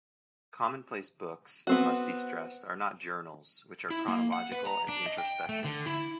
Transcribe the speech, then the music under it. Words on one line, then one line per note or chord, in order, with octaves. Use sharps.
Commonplace books, it must be stressed, are not journals, which are chronological and introspective.
B3 C4 F#4
E4
A#3
F#5
B4
A#5
D4
D#5
G5
A3
D3
E4